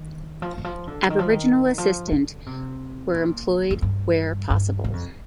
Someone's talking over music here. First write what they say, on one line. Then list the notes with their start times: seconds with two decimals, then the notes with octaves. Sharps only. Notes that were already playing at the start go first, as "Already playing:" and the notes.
Aboriginal assistant were employed where possible.
Already playing: D#3
0.42 F3
0.58 D#3
0.64 F3
0.87 D3
1.10 D#3
1.19 F3
1.29 D#3
1.78 F3
2.07 C3
2.12 D3
2.46 C3
3.14 A#2
3.71 F2
3.82 G2
4.50 G2
4.84 G2
4.93 F2